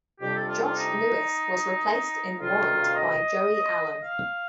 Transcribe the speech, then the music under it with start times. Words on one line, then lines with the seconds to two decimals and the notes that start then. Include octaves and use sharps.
Josh Lewis was replaced in Warrant by Joey Allen.
0.21 F2 C3 G3 D4 G4
0.35 A4
0.48 F4
0.62 F4
0.75 D#4
2.39 D2 C3 D#3 F4
2.82 F5
2.94 D#5
4.03 F5